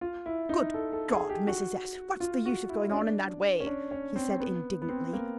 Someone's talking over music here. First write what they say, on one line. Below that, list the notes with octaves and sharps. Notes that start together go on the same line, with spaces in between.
"Good God, Mrs. S.! what's the use of going on in that way?" he said, indignantly.
F4
E4
D#4
A4
A4
G#4
G4
F#4
F4
F#4
E4
C#4
D4
C#4
D4
C#4
C4
B3
B3
C4
A#3